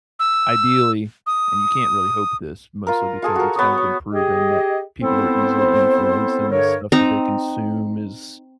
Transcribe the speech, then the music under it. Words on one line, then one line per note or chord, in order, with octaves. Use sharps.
ideally and you can't really hope this mostly because it's kind of been proven that people are easily influenced and the stuff that they consume is
E6
D#6
F4 A#4
F4 G#4 A4
F#4 A#4
B3 C#5 D#6
C#5
G4 G#4 D#5
B3 C4 E4 A4 C5
G2 D3 A4 A#4 C#5
C4 D#4 A#5